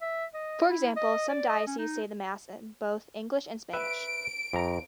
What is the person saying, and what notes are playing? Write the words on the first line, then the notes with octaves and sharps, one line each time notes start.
For example, some dioceses say the Mass in both English and Spanish.
E5
D#5
E4
D#5
D5
D#5
C#4
D#4
B4 E5 D7
F2 A#5